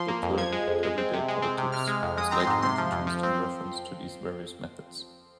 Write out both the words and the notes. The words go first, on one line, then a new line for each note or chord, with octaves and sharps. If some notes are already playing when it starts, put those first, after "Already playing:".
The term "everyday politics" was later introduced in reference to these various methods.
Already playing: F3 C6
A#3
F2
F3 G#6
G#3
F2
G#3
C4
C3
G#3
C4
C3
C3 F6
G#3
F2
G#3 D#6
C4 A#5
C6
G#2
C3 C6
F3
F2
F3
C4